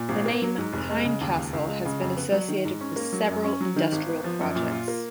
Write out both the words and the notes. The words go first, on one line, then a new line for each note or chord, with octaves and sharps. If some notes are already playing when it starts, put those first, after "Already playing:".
The name "Pine Castle" has been associated with several industrial projects.
Already playing: A#2
G#1
A#3
F#3
G#2
F1
G#3
C#3
D#2
C#2
C#2
G#3
C#3
F2
B3
F#3
D#3
G#2
C#4
A#3
F#3
F#2
C#4
F#3
D#3
G#1
B3
F3
F#2
A#2
F4
A#3